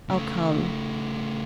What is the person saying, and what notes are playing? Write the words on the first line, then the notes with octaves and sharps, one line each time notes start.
"I'll come."
C#3 A3